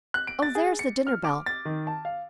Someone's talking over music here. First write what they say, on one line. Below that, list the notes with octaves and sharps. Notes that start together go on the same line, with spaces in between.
Oh, there's the dinner-bell.
F#6
D7
A6
G#4
C#7
F6
D6
A6
D#3
A5
F5